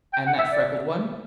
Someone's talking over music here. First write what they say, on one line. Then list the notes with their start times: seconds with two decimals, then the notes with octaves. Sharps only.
"And that freckled one?"
0.13 G5
0.27 F#5
0.38 E5
0.51 D5